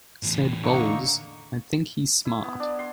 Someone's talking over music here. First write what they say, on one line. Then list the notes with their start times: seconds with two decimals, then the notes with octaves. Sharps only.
Said Bowles: I think he's smart.
0.23 E2 A2
0.64 D3 A#3 D#4 F#5 C#6
2.25 E4
2.44 B3
2.60 D4
2.79 C6